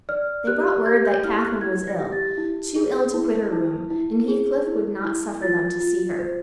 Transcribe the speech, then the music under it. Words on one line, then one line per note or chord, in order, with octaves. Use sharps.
They brought word that Catherine was ill: too ill to quit her room; and Heathcliff would not suffer them to see her.
D5 F6
G4 F#6
G4 G#6
G6
E4 F6
F#6
E4 G#6
A#6
G4
A6
E4
G#4
E4
E4
E4
G#4
E4
E4
F4 A6
F4
C5